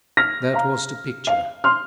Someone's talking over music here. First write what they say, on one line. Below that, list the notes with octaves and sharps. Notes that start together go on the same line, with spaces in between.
That was the picture!
F6 A#6
F5 A#5
F5
C6 F6